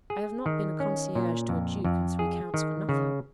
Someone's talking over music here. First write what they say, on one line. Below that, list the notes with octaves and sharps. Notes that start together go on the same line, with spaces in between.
I have not been a concierge to a duke and three counts for nothing.
G#4
D#3
C#4
A#2
F2
F2
G#4
D#3
C#3